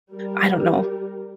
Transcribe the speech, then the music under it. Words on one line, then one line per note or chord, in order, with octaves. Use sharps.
I don't know
G3 A#4